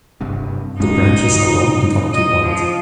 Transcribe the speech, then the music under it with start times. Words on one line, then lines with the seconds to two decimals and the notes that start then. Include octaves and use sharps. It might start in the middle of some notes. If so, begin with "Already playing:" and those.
The branches are long and up to wide.
0.21 F#1 G2 C3
0.80 D1 G#3 C#4 D#4
1.33 F#2 C#3
2.13 D#5
2.43 F3